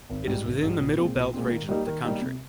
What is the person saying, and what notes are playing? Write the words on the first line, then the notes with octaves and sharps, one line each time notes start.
It is within in the Middle Belt region of the country.
G#1
G#2 G3
G#1
G#2 G3
A#1
A#2 G#3 C4
A#1
A#2 G#3 C4
D#3
G3 A#3 D#4 G4
D#3
G3 A#3 D#4 G4
C3